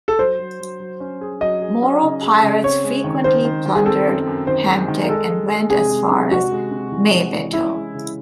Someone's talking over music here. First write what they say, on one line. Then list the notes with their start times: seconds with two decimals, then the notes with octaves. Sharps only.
Moro pirates frequently plundered Hamtic and went as far as Maybato.
0.08 A4
0.19 F#3 C5
0.39 F#3
0.60 F#3
0.80 F#3
1.00 C#4
1.21 G#4
1.41 F#3 D#5
1.62 G#4
1.82 C#4
2.02 C#3
2.23 G#4
2.43 C#3
2.64 C4 C#5
2.84 G#3
3.04 D#3
3.24 D#3 C5
3.45 D#3
3.66 D#3
3.75 G#4
3.86 C4 A4
4.07 F#2
4.27 F#2
4.47 D#3 C5
4.68 G#3
4.88 D#3
5.08 G#3 A4
5.29 G#3
5.49 G#3
5.70 C3 G#4
5.90 G#3
6.10 C3
6.31 C3 F#4
6.52 G#3
6.71 C3
6.92 E3
7.12 G#3
7.33 E3
7.53 C#4 E4
7.74 G#3
7.94 C#3